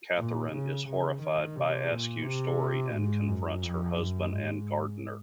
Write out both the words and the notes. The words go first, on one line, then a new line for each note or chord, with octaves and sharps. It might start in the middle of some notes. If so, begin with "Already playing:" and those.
Catherine is horrified by Askew's story and confronts her husband and Gardiner.
A#2
C#3
C#3
D#3
C3
A#2
C3
G#2
F#2
F2
F#2
G#2